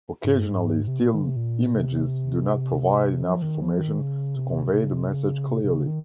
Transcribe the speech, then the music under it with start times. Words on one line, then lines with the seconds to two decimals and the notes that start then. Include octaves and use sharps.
Occasionally still images do not provide enough information to convey the message clearly.
0.24 G#2
0.37 G2
0.49 G#2
0.88 C3
1.00 A#2
1.15 D#3
1.21 C#3
1.29 C3
1.36 A#2
1.75 C3
3.23 F3
3.42 D#3
3.61 F3
3.80 D#3
3.99 C#3
4.36 C3
4.73 C3
4.83 C#3
4.91 C3
5.11 C#3
5.49 C3
5.64 C3
5.73 C#3
5.87 D#3